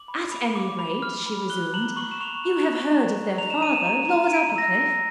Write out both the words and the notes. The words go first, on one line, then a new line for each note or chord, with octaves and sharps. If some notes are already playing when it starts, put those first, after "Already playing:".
"At any rate," she resumed, "you have heard of their father, Lord Uppercliff?"
Already playing: D6 F#7
B5
B5
D6
B5
F6
B5
F#6 G7
A#5 F#7
C#6 F#7
E7
C#6 F7
F#6 E7
A#5
A#5
A#5
A#5 F7
E7
A#5 D#7
E7
A#5 D#7
A#5
D#7
A#5 D7
E6 A#6